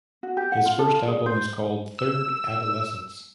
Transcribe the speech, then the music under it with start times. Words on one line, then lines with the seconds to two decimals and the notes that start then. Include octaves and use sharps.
His first album is called Third Adolescence.
0.23 F#4
0.37 G4
0.52 F#5
0.66 F4
0.79 A4
0.91 F4
1.08 G#4
1.26 C5
1.99 E6